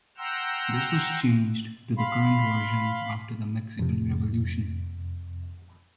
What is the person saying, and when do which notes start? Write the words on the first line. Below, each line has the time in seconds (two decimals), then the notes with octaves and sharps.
This was changed to the current version after the Mexican Revolution.
0.18 F#5 G5 A#5 C6 E6 F6
1.98 F5 B5 C6
3.79 F2 C3